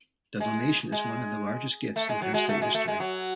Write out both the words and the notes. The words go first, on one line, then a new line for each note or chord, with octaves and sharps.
The donation is one of the largest gifts in Penn State history.
G#3
G#3
A3
G#3
F#3
G#3
A3
G#3
A3
G#3
F#3